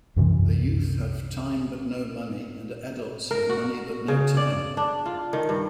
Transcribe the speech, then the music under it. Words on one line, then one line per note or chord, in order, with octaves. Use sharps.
The youth have time but no money and adults have money but no time.
C2 F#2 C3 E3
A#4
F#4
C#3
D5
D4
F4
D#3
G2